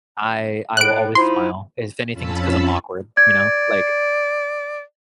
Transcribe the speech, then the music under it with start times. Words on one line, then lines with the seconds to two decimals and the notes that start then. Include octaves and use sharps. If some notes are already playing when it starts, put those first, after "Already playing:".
I I will always smile. If anything, it's 'cause I'm awkward, you know, like
0.77 A2 F#6 D7
1.15 F3 D#4 E4 C6
2.12 F2 F3 C#4 A5 B5 E6
3.17 D5 G#6